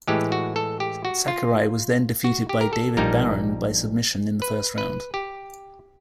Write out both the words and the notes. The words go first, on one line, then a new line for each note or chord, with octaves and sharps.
Sakurai was then defeated by David Baron by submission in the first round.
A2 E3 G#3 G4
F#4
A4
G4
F#4
F4
F#4
G4
A#4
A4
A#1 A#2 G3 A#3 D#4 A#4
B4
B4
G4